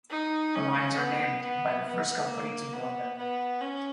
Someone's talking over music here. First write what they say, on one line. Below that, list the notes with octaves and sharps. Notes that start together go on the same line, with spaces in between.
The lines are named by the first company to build them.
D#4
C#4
B3
B3
B3
A#3
B3
B3
C#4